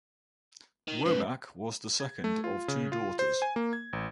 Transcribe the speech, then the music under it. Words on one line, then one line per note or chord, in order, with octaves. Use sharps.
Womack was the second of two daughters.
D#3
G#2 C#3 B4
G#6
A3
F4
C#3
F4
C5
G#5
A#3
G#6
A1